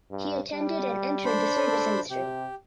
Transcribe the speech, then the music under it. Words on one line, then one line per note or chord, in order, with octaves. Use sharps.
He attended and entered the service industry.
G2
G3
D4 C5 B5
A4
C3 G4